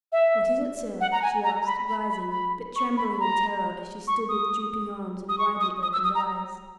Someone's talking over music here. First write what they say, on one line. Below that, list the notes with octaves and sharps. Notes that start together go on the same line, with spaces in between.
"What is it, sir?" she asked, rising, but trembling with terror, as she stood with drooping arms and widely opened eyes.
E5
F#5
A#5
G#5
A#5
A#5
B5
B5
B5
B5
C#6
B5
B5
A#5
C#6
D#6
D#6
C#6
D#6
D#6
E6
D#6
A#5